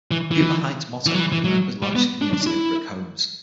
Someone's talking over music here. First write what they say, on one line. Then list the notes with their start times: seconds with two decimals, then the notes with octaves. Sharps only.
Huber Heights' motto is America's largest community of brick homes.
0.11 E3
0.31 E3
1.07 E3
1.14 F#3
1.20 E3
1.32 E3
1.44 F#3
1.83 G3
1.96 B3
2.22 D4
2.34 D4
2.47 E4